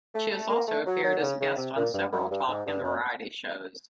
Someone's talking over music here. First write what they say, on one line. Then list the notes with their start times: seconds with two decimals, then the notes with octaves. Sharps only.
She has also appeared as a guest on several talk and variety shows.
0.14 A3
0.32 A3
0.49 A#3
0.68 A3
0.86 F#3
1.03 F#3
1.18 D3
1.21 C#3
1.40 C#3
1.57 C3
1.75 A#2
1.93 G2
2.12 F#2
2.30 G2
2.48 G#2
2.66 G2
2.83 F#2